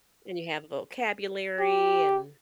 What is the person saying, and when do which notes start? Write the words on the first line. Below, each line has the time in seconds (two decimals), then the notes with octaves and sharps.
And you have vocabulary and
1.60 G4